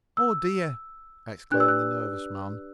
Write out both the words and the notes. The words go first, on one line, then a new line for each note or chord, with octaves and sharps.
"Oh, dear!" exclaimed the nervous man.
E6
D4 G4 B4 D5 F#6
E6
F#6